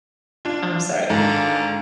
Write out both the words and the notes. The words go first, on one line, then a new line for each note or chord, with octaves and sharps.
oh, I'm sorry
D4 F4
G#2 D3 D#3 G#3 F5